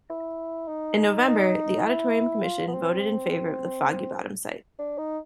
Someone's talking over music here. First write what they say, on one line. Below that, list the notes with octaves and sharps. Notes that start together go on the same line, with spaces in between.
In November, the Auditorium Commission voted in favor of the Foggy Bottom site.
E4
D#4
D#4
D#4
E4
F4
B3
C4
D4
D#4